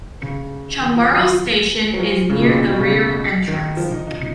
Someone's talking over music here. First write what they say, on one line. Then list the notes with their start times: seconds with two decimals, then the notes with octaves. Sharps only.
Chungmuro Station is near the rear entrance.
0.22 C#3
0.81 D#3
0.96 F3
1.11 F#3
1.93 F#3
2.00 F3
2.30 C#3
2.40 A#2
2.44 B2
2.69 B2
2.79 C#3
3.48 D#3
3.77 F3
3.91 D#4
4.07 D#4